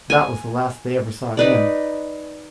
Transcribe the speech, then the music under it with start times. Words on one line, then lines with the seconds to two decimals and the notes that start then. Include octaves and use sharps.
That was the last they ever saw of him.
0.10 G#5
1.37 D#4 B4 D5